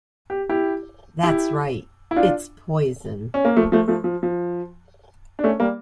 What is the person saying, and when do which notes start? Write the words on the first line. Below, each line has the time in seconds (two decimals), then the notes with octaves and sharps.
That's right, it's poison!
0.30 G4
0.49 E4 G4
1.23 E4 G4
2.11 E4
2.16 D4 F4
3.34 C#4
3.45 A#3
3.57 F3 A3
3.72 F3 A3
3.88 F3 A3
4.04 F3
4.23 F3
5.39 D4
5.44 A3 C#4
5.60 G3 A#3